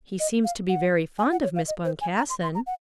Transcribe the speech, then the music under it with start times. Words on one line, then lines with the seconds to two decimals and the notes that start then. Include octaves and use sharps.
"He seems to be very fond of Miss Boncassen."
0.20 D#5
0.44 F5
0.69 F#5
1.19 G#5
1.32 F#5
1.43 C#5
1.56 F5
1.68 D#5
1.85 C5
2.01 G#5
2.18 A#5
2.30 C6
2.43 C6
2.55 A#5
2.67 F#5